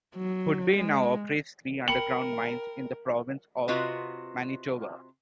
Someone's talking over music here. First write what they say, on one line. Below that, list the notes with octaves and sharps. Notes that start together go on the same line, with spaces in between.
Hudbay now operates three underground mines in the province of Manitoba.
F#3
G#3
A#4 G5 B5 C#7 F#7
C3 F4 F#4 B4 D#5